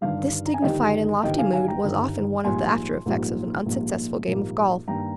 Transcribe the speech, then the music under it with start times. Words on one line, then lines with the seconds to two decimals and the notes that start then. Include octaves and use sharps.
This dignified and lofty mood was often one of the aftereffects of an unsuccessful game of golf.
0.01 G1 G2 D#3 G3 F5
0.46 A#5
0.54 G#5
0.62 G1 G2 D#3 G3 D#5 G5
1.23 G1 G2 D#3 G3 D#5 G5
1.38 F5 G#5
1.53 F5 G#5
1.68 G5 A#5
1.83 G1 G2 D#3 G3
2.44 A#1 G#2 G3 A#3 G#5 C6
3.06 A#1 G#2 G3 A#3
3.66 A#1 G#2 G3 A#3
4.27 A#1 G#2 G3 A#3
4.87 G2 D#3 A#3 G5 A#5